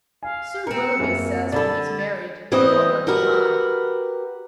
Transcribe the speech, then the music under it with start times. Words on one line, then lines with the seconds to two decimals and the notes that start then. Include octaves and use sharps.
"Sir Willoughby says, when he's married, you won't let me hide."
0.23 F5 G#5
0.67 C4 A#4 A#5 C#7
1.00 F#2 A#3
1.52 D3 A4 D5 B5 E6 A6
2.52 E3 B3 C4 E4 D#5
3.07 F#4 G4 A#4 B4